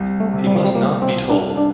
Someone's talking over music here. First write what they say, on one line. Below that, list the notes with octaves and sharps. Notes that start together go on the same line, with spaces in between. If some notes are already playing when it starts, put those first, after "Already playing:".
He must not be told.
Already playing: C2
A3
C3
G3
F3
G3
F3 A#3
C4
C2
D4
D4